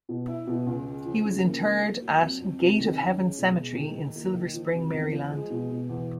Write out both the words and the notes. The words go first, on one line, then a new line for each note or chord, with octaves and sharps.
He was interred at Gate of Heaven Cemetery in Silver Spring, Maryland.
B2
E4
B2
C#2
G#3
F3
C#3
A#3
A#3
A#3
F#3
F2
F2
C3
D#3
C#4
G#3
B2
G#3
D#3
D#3
A#3
D#3
F3
C3
E2
F3
G#3
B2
B2
E2